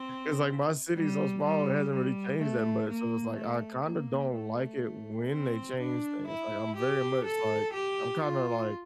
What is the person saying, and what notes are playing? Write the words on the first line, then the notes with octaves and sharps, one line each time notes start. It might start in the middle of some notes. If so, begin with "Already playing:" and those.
it's, like my city's so small it hasn't really changed that much, so, it's, like, I kinda don't like it when they change things, like, I'm very much, like I'm kinda, like
Already playing: C4
G3
G3
G3
A3
A#3
A3
A#3
A3
C4
D4
E4
G4
A4
G4
F4